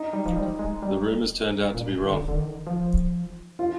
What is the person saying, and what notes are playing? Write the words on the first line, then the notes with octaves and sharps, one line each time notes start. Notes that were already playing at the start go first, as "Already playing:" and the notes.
The rumours turned out to be wrong.
Already playing: D#4
G3
F3
G3
G#3
G3
A#2
D3
D3
D#3
F3
F4